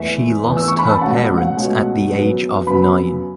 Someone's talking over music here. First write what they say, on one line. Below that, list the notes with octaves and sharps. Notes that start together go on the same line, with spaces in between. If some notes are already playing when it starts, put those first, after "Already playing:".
She lost her parents at the age of nine.
Already playing: E2 E3 A3 E5
E2 E3 A3
E6
C#6
B5
A5
C#2 B2 A3 C#4 F#5
F#5
C#2 B2 A3 C#4
F#2 C#3 F#3 B3
F#2 C#3 F#3 B3 B5